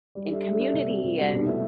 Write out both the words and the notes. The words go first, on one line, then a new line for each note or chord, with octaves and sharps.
in community, and
G3
D4 A4 E5
G3
D4 A4 E5
C3
G3 C4 F#4
C3
G3 C4 F#4
B2
A3 E4 B4 E5